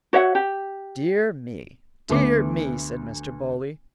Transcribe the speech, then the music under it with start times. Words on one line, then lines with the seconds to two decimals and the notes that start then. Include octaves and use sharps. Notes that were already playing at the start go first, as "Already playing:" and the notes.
"Dear me, dear me," said Mr. Bowley.
0.13 F#4 C#5 E5 F#5
0.35 G4
2.10 D2 A3 B3 D6